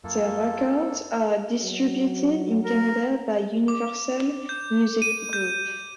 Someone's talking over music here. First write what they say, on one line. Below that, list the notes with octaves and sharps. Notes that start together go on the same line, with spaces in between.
Their records are distributed in Canada by Universal Music Group.
F#2 A#3 F4 A4
F#3
A#4
D6
G6
D#7
G6